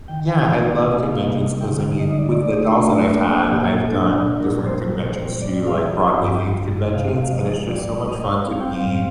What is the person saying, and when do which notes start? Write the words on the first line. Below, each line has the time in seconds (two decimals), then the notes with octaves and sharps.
Yeah, I love conventions 'cause, I mean, with the dolls that I've had, I've done different conventions too, like Broadway themed conventions, and it's just so much fun to be
0.08 D#3 G5
0.47 D#4 F5
0.85 A#3 D#5
1.12 F5
1.23 C3 D#5
1.61 D3 G5
1.80 F5
1.99 D#4 D#5
2.12 D#5
2.19 D5
2.37 A3
2.75 D4
3.13 A#3 A4
3.32 A4
3.52 A#2 G4
3.71 A4
3.89 D4 A4
4.28 A#2
4.40 A#4
4.66 G3 C5
4.92 A#4
5.04 A#2
5.16 C5
5.42 G3 D5
5.67 F5
5.80 G3
5.93 D#5
6.19 G2 G5
6.56 G2
6.95 C3 F5
7.22 F5
7.33 F3 D#5
7.70 G3 D5
8.08 G3 D#5
8.47 C4 F5
8.60 G5
8.74 F5
8.85 A2